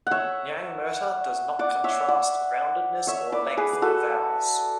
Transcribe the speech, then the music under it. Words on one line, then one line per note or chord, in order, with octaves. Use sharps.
Nyangmurta does not contrast roundedness or length in vowels.
C#5 E5 F#5
D5 F#5
C#5 E5
D5 F#5
C#5 E5
B4 D5
G#4 B4
B4
F#4 A4